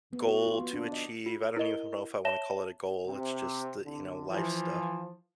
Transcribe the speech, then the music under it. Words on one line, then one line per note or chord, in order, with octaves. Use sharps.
goal to achieve. I don't even know if I wanna call it a goal, it's just the, you know, life stuff.
B3
F#4
F4
B3
D4
D#5
F4
E4 A#4 D#5 G7
C#5 E5 A5 A#6 E7 G7
C3
C2 D3
E3 F3